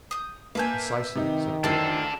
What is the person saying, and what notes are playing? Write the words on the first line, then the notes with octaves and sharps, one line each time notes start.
"Precisely," said Burger.
D#6 G6
A#3 B4 E5 G#5 A5 G6
C3 D#3 D#4
D2 E3 D4 A4 A#4 C5 A5